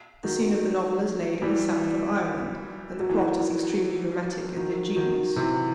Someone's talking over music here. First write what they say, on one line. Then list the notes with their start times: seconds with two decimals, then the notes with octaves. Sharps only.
The scene of the novel is laid in the south of Ireland, and the plot is extremely dramatic and ingenious.
0.24 D#3 F#3
1.42 E3 G3
3.00 F#3
3.09 E3
3.19 D#3 F#3
4.56 D#3 F#3
4.96 D#3 F#3
5.36 C3 E3